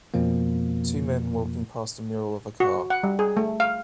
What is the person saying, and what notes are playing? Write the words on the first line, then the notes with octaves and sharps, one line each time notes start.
Two men walking past a mural of a car.
F2 B2 F3 A#3
F#4
F#5
G3
G#4
A3
F5